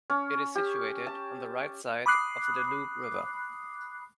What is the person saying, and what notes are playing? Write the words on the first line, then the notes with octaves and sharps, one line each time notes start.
It is situated on the right side of the Danube river.
C#4
G4
A5
B5 D6 D#6 F#6 C7